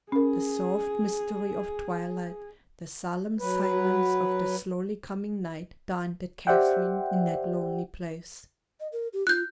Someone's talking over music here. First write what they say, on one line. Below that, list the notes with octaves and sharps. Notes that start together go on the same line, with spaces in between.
The soft mystery of twilight, the solemn silence of the slowly-coming night, daunted Catherine in that lonely place.
C#4 G#4 A#4
F#3 B4
G4 C5 D5 E5 F#5 G5
D#5
A#4
G4
F4 F#6 G6